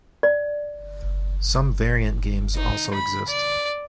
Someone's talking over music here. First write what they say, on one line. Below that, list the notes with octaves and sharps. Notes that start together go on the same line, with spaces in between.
Some variant games also exist.
D5
D#4
B5
D5